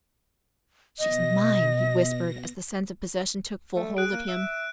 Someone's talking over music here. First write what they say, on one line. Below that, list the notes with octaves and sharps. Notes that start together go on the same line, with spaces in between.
"She's mine," he whispered, as the sense of possession took full hold of him.
B2 D#5 A#6
A3
G#4 F#6 D7
A#3
E5